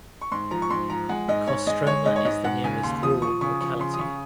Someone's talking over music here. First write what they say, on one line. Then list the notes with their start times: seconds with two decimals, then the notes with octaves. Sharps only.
Kostroma is the nearest rural locality.
0.22 C#6
0.32 G#2 C6
0.51 F3 A#5
0.62 C#6
0.70 G#2 C6
0.90 F3 A#5
1.09 G#3 F#5
1.28 G#2 D#5
1.48 G#2 C#5
1.67 G#3 D#5
1.87 G#3 C#5
2.06 G#2 D#5
2.16 C#5
2.25 G#2 D#5
2.44 G#2 F#5
2.64 C#3 G#5
2.83 D#2 C6
3.03 F3 D#6
3.22 F3 C#6
3.41 C#3 C#6
3.61 F3 C#6
3.79 C#3 C6
3.94 D#6
3.99 C#3 C#6